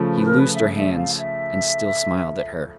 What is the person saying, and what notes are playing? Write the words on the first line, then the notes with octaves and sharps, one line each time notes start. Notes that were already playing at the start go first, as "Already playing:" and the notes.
He loosed her hands, and still smiled at her.
Already playing: C#3 F3 A3
B4
A#4
B4
E5
E5
F5
E5